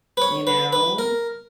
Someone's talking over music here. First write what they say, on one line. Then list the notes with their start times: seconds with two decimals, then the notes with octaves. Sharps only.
You know?
0.17 B4
0.22 C#5
0.47 B4
0.73 B4
0.99 A#4